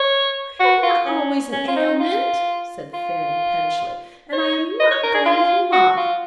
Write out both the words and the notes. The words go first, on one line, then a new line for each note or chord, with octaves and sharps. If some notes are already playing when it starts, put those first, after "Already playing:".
'I have not always an ailment,' said Fanny, pettishly; 'and I am not going with mamma.
Already playing: C#5
F#4
F4
C#4
C#4
F4
D#4
F4
F4
C#5
D#5
C#5
A#4
G#4
F4
F#4
F4